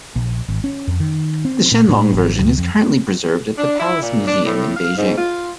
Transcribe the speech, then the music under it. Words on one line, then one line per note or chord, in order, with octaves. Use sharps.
The "Shenlong" version is currently preserved at the Palace Museum in Beijing.
A#1
G#1
C#4
F2
D#3
C4
A#2
A2
G#1
D2
F2
D4
E4
A#2
D4
A2
F5
G#2
F4